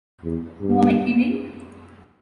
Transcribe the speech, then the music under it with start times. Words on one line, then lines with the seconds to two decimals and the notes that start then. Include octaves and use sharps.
Who am I kidding?
0.24 E2
0.61 G2